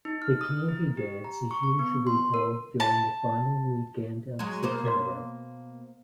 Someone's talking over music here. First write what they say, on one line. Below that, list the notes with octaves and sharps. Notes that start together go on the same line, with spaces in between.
The Candy Dance is usually held during the final weekend of September.
D#4
F6
D#6
E4
G4
A#5
C#6
C#6
B3
C6
A#4
A5
F#3 G#3
B2 A#3 C5
A#4 C#5 C6